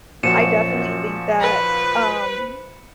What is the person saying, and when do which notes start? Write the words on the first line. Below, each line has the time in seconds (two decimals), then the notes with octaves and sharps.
I, definitely, think that, um,
0.23 F#2 A#2 F3 F#4 C#7 D#7 E7
1.41 B4 C5